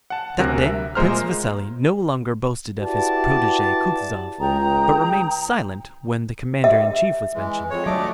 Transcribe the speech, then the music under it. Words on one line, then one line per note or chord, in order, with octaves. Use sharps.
That day Prince Vasili no longer boasted of his protege Kutuzov, but remained silent when the commander-in-chief was mentioned.
F#5 A5
D2 C3 F#3 A#4 F#6 A#6
E5
A#2 G#3 C5 A#5 F6
E4 F#4 G4 B4 D5 A5
C#2 G5 A#5 D#6
E5
E3 G#3
F2 C#5
F#3 A3 D4 D#5 D6